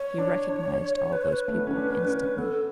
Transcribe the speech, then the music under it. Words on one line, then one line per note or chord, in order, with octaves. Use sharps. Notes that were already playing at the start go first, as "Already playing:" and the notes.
He recognized all those people instantly.
Already playing: C#5
D4
D4
B4
C#5
B4
A3
B3
C#4
D4
C#4
B3 A4